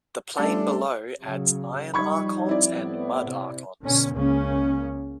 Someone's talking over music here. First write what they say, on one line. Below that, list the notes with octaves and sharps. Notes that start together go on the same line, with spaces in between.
The Plane Below adds Iron Archons and Mud Archons.
G3 A3 C#4 D4 A4
C#3 F#3
F3 G3 D#4 B5 C#6 G#6
C4 E4 D5
A2 B3
C3
B2 D3 C#4
C#2 C#3 A#3 C#4